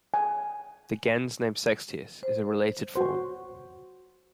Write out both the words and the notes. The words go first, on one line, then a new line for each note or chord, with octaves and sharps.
The "gens" name Sextius is a related form.
G#5
C5
F#4 C5 C6